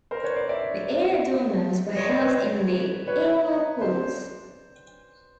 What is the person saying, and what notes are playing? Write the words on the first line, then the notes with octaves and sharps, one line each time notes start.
The ear adornments were held in the earlobe holes.
A#4 C5
B4 C#5
C5 D5
D5 E5
C#5 D#5
C5 D5
B4 C#5
B4 C#5
C5 D5